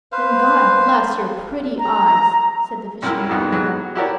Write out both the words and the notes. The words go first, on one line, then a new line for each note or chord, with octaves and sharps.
"Then God bless your pretty eyes," said the fisherman.
B4 C5 F5
A#5
C2 F#2 E4 A#4 F6
F2 G#2 D#3 G3 B3
F#3 G#3 B3
F#4
E4 F#4 G4 A#4 C#5 D5